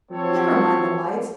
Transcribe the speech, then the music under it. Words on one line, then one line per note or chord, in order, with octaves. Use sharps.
Never mind the lights.
F3 F#3 C4 A4 C#5